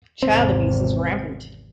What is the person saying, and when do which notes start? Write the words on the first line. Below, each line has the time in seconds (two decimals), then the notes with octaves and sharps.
Child abuse is rampant.
0.23 G#1 E2 C3 C4